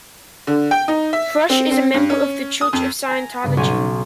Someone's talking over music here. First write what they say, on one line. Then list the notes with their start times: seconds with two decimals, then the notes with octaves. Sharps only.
Fresh is a member of the Church of Scientology.
0.47 D3
0.71 G5
0.88 D#4
1.13 E5
1.50 C4
1.71 C4
1.94 G2
2.10 C#4
2.61 D#6
2.73 F2
3.08 G#5 A#5
3.44 G2 C#3
3.57 B1 C#4 G#5 D#7